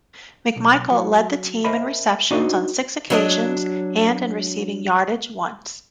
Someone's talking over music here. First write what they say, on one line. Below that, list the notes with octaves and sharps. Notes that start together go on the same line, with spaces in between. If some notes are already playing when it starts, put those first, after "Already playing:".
McMichael led the team in receptions on six occasions and in receiving yardage once.
B1
F#3
A#4 C5 D#5 E5 A5 B5
D4 D#4 F#4 C5 D5 D#5
F#3 D4 D#5